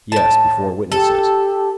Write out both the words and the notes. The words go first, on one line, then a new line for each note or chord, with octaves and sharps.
"Yes, before witnesses."
A2 A5
G4 A4